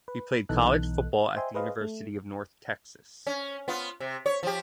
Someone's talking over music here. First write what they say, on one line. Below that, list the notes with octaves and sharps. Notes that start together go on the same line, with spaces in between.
He played college football at the University of North Texas.
B4
B1 E3 B3 D#4 A4 F#6
C5 D#5 E5 G5 G#5 C6
G#4 B4 C5 D#5 F5
A3
C#4
B3 F4
C3
C#5
F3 G4